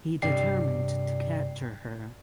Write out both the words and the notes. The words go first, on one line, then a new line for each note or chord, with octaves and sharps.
He determined to capture her.
G2 C3 D5 G5 C7